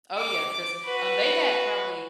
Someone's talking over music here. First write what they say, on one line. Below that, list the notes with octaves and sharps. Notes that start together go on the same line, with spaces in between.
Oh yeah, 'cause, um, they had probably
D6
F#4 B4